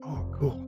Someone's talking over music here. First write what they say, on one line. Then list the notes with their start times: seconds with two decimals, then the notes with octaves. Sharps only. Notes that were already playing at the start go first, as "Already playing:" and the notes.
Oh, cool.
Already playing: C4
0.14 F1 F2 C3
0.50 C4